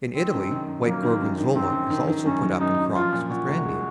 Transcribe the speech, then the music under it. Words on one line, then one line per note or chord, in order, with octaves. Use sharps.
In Italy white Gorgonzola is also put up in crocks with brandy.
D#3 C4
F#2
D#3
F#2
F#3 A#3
D#3
F#2
D#3
F#2 C4
F#2
D#3
D#3
F#2 C#4
F#3
F#2 D#4
F#2
F3 F4
A#2
A#2 F#4
C2
G#3